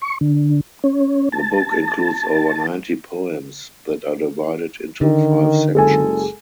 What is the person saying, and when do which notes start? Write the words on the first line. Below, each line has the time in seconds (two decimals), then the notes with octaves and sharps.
The book includes over ninety poems that are divided into five sections.
0.02 C#6
0.21 D3
0.84 C#4
1.32 A5
5.01 D3 D#3
5.75 F#1 G#3 A4 G#5